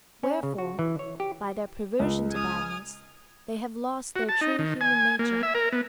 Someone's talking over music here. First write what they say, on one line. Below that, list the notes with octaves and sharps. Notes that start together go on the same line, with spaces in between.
Wherefore, by their perversion to badness, they have lost their true human nature.
C#4
C#3
F#4
E3
C#5
G4
C#2
G#5 D#6 F6
F#4
A5
D#4
D#3
G#5
A#3
E5
A#4
B3